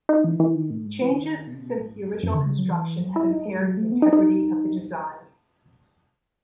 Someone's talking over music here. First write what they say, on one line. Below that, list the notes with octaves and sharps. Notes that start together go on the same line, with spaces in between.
Changes since the original construction have impaired the integrity of the design.
D#4
E3
E3
D#3
A2
G#2
E3
C#3
D#3
B2
C#3
B2
A2
G#2
F#2
F#2
D#3
C#3
F#3
E3
F#3
E4
D#4
G#3
F#3
A3
B3
D#4
D#4